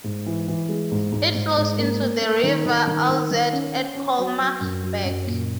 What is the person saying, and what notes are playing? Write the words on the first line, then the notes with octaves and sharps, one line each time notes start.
It flows into the river Alzette at Colmar-Berg.
G#2
E3
E3
G#3
G#2
G#2
G#2
G#2
A#3
A#3
A#3
D#3
D#3
D#3
D#3
D#3
C#4
C#4
C#4
F#3
F#3
F#2
F#3
F#2
A#2